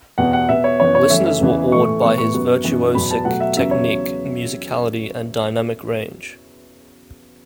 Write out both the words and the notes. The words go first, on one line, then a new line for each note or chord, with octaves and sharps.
Listeners were awed by his virtuosic technique, musicality, and dynamic range.
E2 B2 B3 F#5
F#5
B2 B3 E5
C#5
F#2 E3 B3 C#5
C#5
F#2 E3 A3 E5
E5
E2 C#3 E3 B3
A2 E3 A3 C#6
A2 E3 B3 C#6
C#6
F#2 F#3 B3
F#2 E3 B3
E2 B2 F#3 B3 B5
A5
B2 F#3 A3 F#5
E5
E2 C#3 F#3 B3 E5
C#5